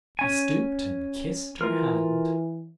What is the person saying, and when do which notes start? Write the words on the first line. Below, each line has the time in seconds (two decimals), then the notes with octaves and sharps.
He stooped and kissed her hand.
0.19 C#4 G#5
1.61 E3 F4 A#4